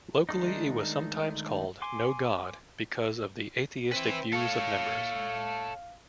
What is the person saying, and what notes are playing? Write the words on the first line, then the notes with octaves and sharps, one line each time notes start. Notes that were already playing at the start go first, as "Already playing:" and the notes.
Locally it was sometimes called "No God," because of the atheistic views of members.
D#3 G#3 A3 D4 D#4
G#5 C6 D6
C4 E4 B4
A4 C#5 F5